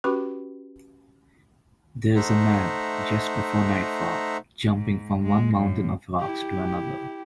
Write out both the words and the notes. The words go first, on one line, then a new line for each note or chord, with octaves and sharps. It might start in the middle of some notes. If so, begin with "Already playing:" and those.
There is a man, just before nightfall, jumping from one mountain of rocks to another.
C#4 F#4 G4 B4 B5 C#6
A3 D#4 C5 E5 F#5 A#5
G#2
G#3
F#2
E4 G4